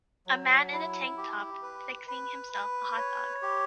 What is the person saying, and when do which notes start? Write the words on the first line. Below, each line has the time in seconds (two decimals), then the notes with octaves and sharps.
A man in a tank top fixing himself a hotdog.
0.27 F#3
0.73 E4
1.17 G4
1.63 B4
2.07 B4
2.53 B4
2.97 C#5
3.42 G4